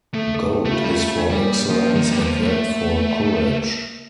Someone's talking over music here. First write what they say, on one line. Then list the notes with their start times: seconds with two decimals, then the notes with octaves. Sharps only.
Gold is for excellence and red for courage.
0.14 A3 A4
0.34 A4
0.45 A4
0.53 G4
0.66 A3
0.72 F4
0.85 G3
0.92 A3 F4
1.18 D4
1.30 G3
1.43 A#3
1.70 F3 A#3
1.95 D#3
2.11 G3
2.21 F3
2.42 G3
2.47 A3
3.24 A#3